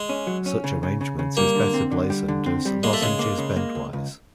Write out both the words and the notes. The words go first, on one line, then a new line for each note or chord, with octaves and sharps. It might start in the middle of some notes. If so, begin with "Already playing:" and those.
Such arrangement is better blazoned as "lozenges bendwise".
Already playing: G#3
C#4
F#3
C#4
C#3
C#3
C#3
C#3
G3 A#3
D3
C4
D3
G3
D3
C4
G3
G#3 A#3
A3
C#3 G#3
A#3
C#3
A#3
C#2
C#2